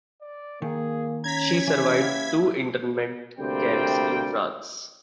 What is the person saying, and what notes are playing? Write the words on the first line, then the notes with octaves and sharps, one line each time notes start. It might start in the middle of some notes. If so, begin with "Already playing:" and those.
She survived two internment camps in France.
D5
D#3 A#3 G#4
C#4 A#5 G#6 B6
E3 E4
A#3 G4 F5
D2 C3 G3 A#3 C4 G5